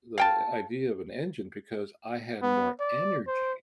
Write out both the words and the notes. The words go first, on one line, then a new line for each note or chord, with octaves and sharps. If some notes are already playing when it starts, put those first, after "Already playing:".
the idea of an engine because I had more energy,
F5 G5 A5
B3
D5
C5